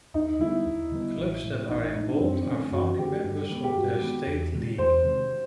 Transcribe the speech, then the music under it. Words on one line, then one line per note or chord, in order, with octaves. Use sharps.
Clubs that are in bold are founding members of their state league.
D#2 D#4
D3 G3 B3 E4
D#2
D3 G3 B3
A1
A2 F3
A1 D#4
D#4
A2 F3 D#4
D4
F#2 C4
D3 F3 A3 C#4
F#2 F#4
D3 F3 A3 G4
G2
D#3 G#3 B3
G4
G2 F#4
D#3 G#3 B3
E2
C3 D#3 G#3
E2 C5
C3 D#3 G#3